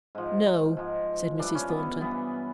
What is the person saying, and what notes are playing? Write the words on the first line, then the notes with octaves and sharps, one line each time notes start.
'No!' said Mrs. Thornton.
G#2 F3
G#2 F3
G2 E3 D4
C#4
B3
G2 E3 B3